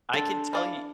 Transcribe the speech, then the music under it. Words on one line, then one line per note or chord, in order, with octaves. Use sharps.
I can tell you
C4 D4 A4
E3 D5 F5